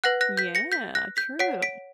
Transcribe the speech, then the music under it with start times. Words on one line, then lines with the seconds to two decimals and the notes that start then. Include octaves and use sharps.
Yeah, true.
0.04 B4 F#5 F#6 A#6
0.21 F#6 A#6
0.37 G6 B6
0.55 A#6 C#7
0.72 G6 B6
0.95 F#6 A#6
1.17 G6 B6
1.39 C#5 F#5 B6 D7
1.62 B6 D7